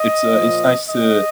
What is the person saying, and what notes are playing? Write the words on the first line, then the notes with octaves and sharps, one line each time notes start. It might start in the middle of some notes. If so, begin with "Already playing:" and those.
It's, uh, it's nice to
Already playing: D#5
A#2 F3
D#5